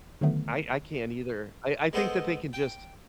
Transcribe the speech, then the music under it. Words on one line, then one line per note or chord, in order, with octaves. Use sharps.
I I can't either, I I think that they can just
D3 D#3 F#3 A3 B3
G#3 B3 A4 C5 D#5
G5